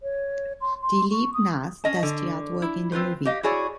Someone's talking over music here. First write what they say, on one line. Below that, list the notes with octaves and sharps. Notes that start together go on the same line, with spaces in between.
Dileep Nath does the art work in the movie.
C#5
C6
C6
C#6
D#6
C#4 D#5 A5
D3
E4
C4 F4 B4 C5
G4 D#5 F5
E4 F#4 G#4 C#5 D5